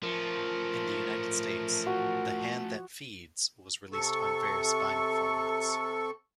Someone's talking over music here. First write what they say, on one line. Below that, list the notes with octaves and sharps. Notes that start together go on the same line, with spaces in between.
In the United States, "The Hand That Feeds" was released on various vinyl formats.
F3 A3 C#4 A#4
F#4
C3 A4 C#6